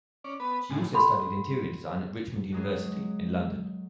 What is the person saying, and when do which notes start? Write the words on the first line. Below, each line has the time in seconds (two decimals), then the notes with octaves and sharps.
She also studied interior design at Richmond University in London.
0.24 C#4 D5
0.40 B3 B4
0.70 A2 G#3
0.94 F4 A4 F#5 B5 C6
2.52 F#3 G#3 G#4